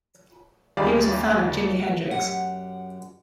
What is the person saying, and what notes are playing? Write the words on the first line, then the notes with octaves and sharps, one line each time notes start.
He was a fan of Jimi Hendrix.
D#2 G3 G#3 D5 F5 B5
F#2 G4 F#5